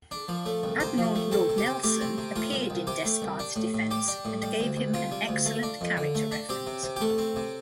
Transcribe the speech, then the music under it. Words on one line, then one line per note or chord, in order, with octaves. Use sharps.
Admiral Lord Nelson appeared in Despard's defence and gave him an excellent character reference.
D4
F3
A3
C2
C3 C5
F3
A3
C4 A4
C3
G4
C3
A3 G4
C4
C3
A3 F4
C2
C2
C3 G4
A3
C2
D4
A2
A2
G3 G4
D4
A2
G3
D2
D2
C3 F4
G3
D2
A3
D4
F2
D3
A3
D4
C4 G4
C3
C3
G4
A3 A4
C4
C3